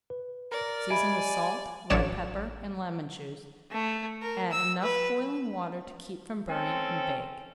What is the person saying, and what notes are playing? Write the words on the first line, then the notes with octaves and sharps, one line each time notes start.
Season with salt, red pepper, and lemon-juice, add enough boiling water to keep from burning, and bake.
B4
A#4 D5
G4 D#5 E5 G#5 B5 D7
A1 D3 F#3 C#5 D5 E7
A3
A#4
E6
B4
C4 C#4 A4